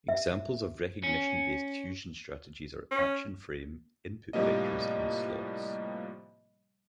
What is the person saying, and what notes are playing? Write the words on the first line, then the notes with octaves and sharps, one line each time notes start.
Examples of recognition-based fusion strategies are action frame, input vectors and slots.
E5
C#4
C#4
A2 C3 F3 G3 A#3 D#5